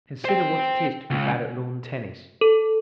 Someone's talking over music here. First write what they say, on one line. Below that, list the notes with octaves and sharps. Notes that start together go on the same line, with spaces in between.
Consider what it is to be bad at lawn tennis.
C5 G5
C#2
A4